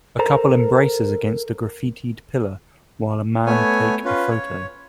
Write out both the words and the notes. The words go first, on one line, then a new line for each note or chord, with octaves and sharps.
A couple embraces against a graffited pillar while a man take a photo.
A4 A#4 C5 A#5
A3 B3 C#5 G#5
C#4 F4 B4
C#5